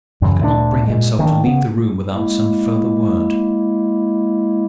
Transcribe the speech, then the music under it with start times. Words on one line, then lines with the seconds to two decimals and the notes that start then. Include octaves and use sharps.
He could not bring himself to leave the room without some further word.
0.22 F#2 C#3 E3
0.40 D2 A#2 G#3 D4
0.87 A#2 G#3
1.19 D#3 A#3 C#4 D4
1.44 C#3 B3
2.13 G#3 A#3 E4